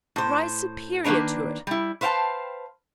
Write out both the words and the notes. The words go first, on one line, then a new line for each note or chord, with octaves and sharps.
Rise superior to it.
A2 C5
D#3 A#3 D4 B4 A#5
G3 E4
B4 C5 F5 G5 A5